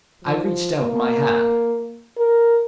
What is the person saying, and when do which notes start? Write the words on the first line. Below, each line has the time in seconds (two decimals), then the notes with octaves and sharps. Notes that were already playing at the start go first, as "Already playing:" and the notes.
I reached out my hand.
0.24 F3
0.82 A#3
2.18 A#4